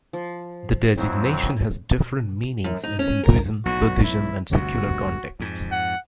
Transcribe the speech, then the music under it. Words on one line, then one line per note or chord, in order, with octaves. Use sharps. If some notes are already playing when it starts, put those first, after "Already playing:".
The designation has different meanings in Hinduism, Buddhism and secular contexts.
F3
F2 F#3 C4 E4
F#2
D#4
C#4
A#4
B1 A2 F#4
E4
G1 D2 C3 F#4
F2 G#2
F#5